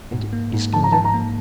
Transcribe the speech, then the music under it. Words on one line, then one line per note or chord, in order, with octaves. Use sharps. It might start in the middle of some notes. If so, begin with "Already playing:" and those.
And Iskander?
G#2
A#3
G#2
F3 A5
A#5
G#2 A5
A#5
A#3